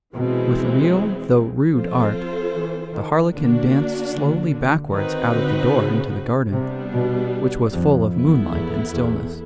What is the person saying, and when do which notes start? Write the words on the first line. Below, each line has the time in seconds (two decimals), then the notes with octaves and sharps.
With real though rude art, the harlequin danced slowly backwards out of the door into the garden, which was full of moonlight and stillness.
0.14 B2 E3 G#3 C4
1.73 F3 C4 F4 A4 C5
2.54 E3
2.92 D#3
3.32 D3 A#3 D4 F#4
4.13 D3
4.53 D3
4.92 D#3 C4 D#4 F#4 B4
5.32 D3
5.72 C#3
6.51 C3 G3 B3 D4
6.92 B2
7.71 F2
8.11 B3 E4 A4
8.51 E2
8.92 E2